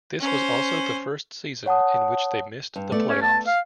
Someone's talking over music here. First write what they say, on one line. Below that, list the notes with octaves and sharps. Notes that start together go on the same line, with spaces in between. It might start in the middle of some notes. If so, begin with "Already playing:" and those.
This was also the first season in which they missed the playoffs.
C#4 C5
C#5 F#5 A5 D#6
G2
A3 B3 D5
C#4
A5
F5